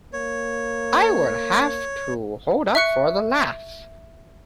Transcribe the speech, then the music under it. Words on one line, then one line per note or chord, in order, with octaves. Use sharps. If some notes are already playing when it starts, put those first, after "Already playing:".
I would have to hold up for the laugh.
A#3 C#5
E5 C#6 F#6 C#7